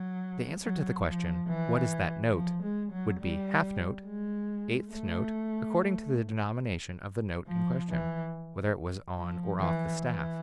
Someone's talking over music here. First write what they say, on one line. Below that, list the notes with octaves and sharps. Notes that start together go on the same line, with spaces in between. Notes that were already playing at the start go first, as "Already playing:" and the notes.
The answer to the question: "What is that note?" would be "half-note," "eighth-note" according to the denomination of the note in question, whether it was on or off the staff.
Already playing: F#3
F#3
F3
E3
F3
G#3
F#3
G3
G#3
A3
F3
E3
F3
E3
E3